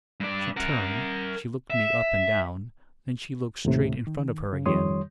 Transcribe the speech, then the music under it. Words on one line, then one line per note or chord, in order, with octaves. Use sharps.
She turned, she looked me up and down, then she looked straight in front of her again.
G2 D5
A#4 F#5
E5
D#2 A2 C3
D#3
C#3
F2 D#3 G3 C#5 C6 D#6